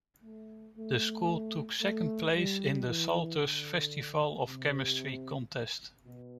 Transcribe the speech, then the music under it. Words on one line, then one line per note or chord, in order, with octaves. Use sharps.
The school took second place in a Salter's Festival of Chemistry contest.
A3
A3
A3
G3
E3
D3
C3
B2